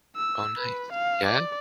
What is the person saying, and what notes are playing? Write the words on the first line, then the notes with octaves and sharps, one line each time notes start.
Oh, nice. Yeah?
E6
B4
F5
D5